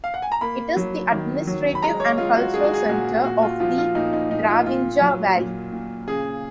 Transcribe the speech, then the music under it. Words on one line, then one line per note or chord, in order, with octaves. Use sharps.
It is the administrative and cultural centre of the Dravinja Valley.
F5
F#5
G#5
A#5
A#3 B5
F#3
D#3
F#3
B5
G#3 A#5
C#5
G#3 F4
F#4
G#3 G#4
F#4
G#4
A#2 F#4
A#2 F#4
F4
F3 F4
F4
A#2 D#4
D#4
A#2 D#4
F4
A#2 F4
F#3
A#2
A#2
C#3 G#4